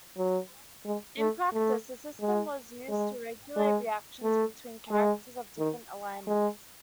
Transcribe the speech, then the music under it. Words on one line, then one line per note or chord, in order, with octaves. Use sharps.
In practice the system was used to regulate reactions between characters of different alignments.
F#3
G#3
A3
A3
G#3
G#3
G#3
A3
G#3
D#3
G#3